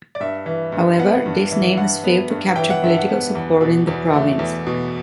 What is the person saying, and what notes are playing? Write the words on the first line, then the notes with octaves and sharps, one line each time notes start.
However, this name has failed to capture political support in the province.
D5
G2 E5
E3
G2
B3 F#5
G2
E3
G2 F#5
B3
G2
E3 G5
F#5
G2 E5
F#5
B3
E2
B2
E2
A3
E2
B2